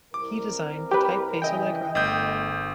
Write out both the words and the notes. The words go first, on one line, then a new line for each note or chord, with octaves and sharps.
He designed the typeface Allegra.
C2 A#4 D6
G4 B4
G2 C#3 E3 D#5 G5
G1 A3 G6